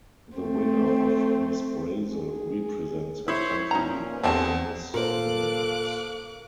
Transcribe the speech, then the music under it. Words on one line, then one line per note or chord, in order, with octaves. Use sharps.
The winner of Miss Brasil represents her country at the Miss Universe.
A3 C4
G#4
E4 C5 C#5
A#2 C#4 D#4 A#5
E2 F3 G3 C4 A4
A#2 A4 A#4 C5 F5 D6 F#6